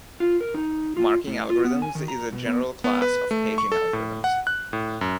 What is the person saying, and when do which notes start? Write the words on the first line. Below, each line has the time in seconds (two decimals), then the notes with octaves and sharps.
Marking algorithms is a general class of paging algorithms.
0.20 F4
0.41 A#4
0.54 D#4
0.97 F4
1.27 A2
1.50 F4
1.64 B3
1.82 G#5
1.95 D#3
2.08 A#5
2.33 B2
2.46 B3
2.84 B3
3.02 B4
3.31 A3
3.58 C#6
3.72 A4
3.93 A2
4.24 F#5
4.47 F#6
4.73 A2
5.01 F#2